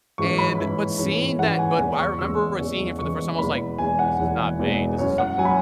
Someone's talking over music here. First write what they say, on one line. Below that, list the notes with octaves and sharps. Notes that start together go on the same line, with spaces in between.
and but seeing that but w I remember seeing him for the first time, I was like, "This is not Bane. This is something different."
G#2 E3 C#4 E4 C#6
B5
G#2 E3 C#4 E4
G#2 E3 C#4 E4 C#5
G#2 E3 C#4 E4 F#5
G#5
E2 C#3 E3 G#3
C#6
E2 C#3 E3 G#3 E6
E2 C#3 E3 G#3
E2 C#3 E3 G#3 C#6
E1 E2 E3 G#3 E4 B5
E1 E2 E3 G#3 E4 G#5
F#5
E1 E2 E3 G#3 E4
E1 E2 E3 G#3 E4
F#2 F#3 E4 C#5
F#5
F#3 E4 G#5
B5